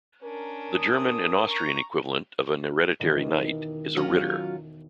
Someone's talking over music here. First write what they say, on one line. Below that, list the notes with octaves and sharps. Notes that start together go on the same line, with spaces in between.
The German and Austrian equivalent of an hereditary knight is a "Ritter".
C#4 D4 A#4
D#6
A#5 C#6
E1 D#3
F#3 C#4 F4